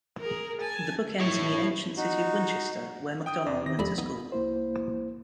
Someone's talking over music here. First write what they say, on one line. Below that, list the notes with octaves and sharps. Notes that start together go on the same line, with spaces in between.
The book ends in the ancient city of Winchester, where Macdonell went to school.
G#4 A#4
G#5 A5
E4 C#5
D#4 F#4
G5 D#6
E2 D5
D#3 A#6
F2 G3 D4 B5
B3 D#4
C2 A#3 E4 C5